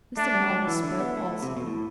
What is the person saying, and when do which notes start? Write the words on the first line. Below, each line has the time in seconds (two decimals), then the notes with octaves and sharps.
Mr. Monk spoke also.
0.17 A3 D4
0.34 G3
0.50 F#3
0.62 F#3
0.67 E3 E4
0.84 D3
1.00 B3
1.17 A3
1.42 C3
1.57 B2
1.67 A2